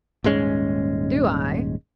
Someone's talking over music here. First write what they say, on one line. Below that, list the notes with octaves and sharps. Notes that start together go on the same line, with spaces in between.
"Do I?"
D#1 G#2 G#3 C#4